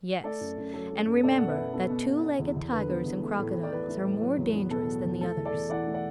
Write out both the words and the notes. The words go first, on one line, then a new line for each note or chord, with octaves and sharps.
"Yes; and remember that two-legged tigers and crocodiles are more dangerous than the others."
A3 A4 D5
F#2
F#2
F#3 A4
A3
F#2
B2 A4 D5
B2 F#5
B4 E5
B3
B3 A4
B2
B2
B3
E2
E2
D3 B4
B3
E2
A3
A2
A2
D5
E3 B4
A3
A2
F#3
E2
B3
B2 A4
F#3
E2
A3 A4
E2
A4 D5
E2
E3 D5 F#5
A3
D5 F#5